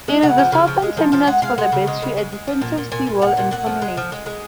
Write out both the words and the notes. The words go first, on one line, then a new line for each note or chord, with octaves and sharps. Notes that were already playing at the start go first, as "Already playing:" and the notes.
It is the southern terminus for the Battery, a defensive seawall and promenade.
G#3
C#3 F#5
F3
C#3 F5
F3
G#3
F3
F3 F5
G#3 F#5
G#3 F5
G#3 F#5
C#3
G#3
C#3
G#3
G#3
F3
A#2
A#2
A#2 G#5
A#2
A#2 F#5
A#2
A#2 F#5
F3
G#3
F3
G#3
G#3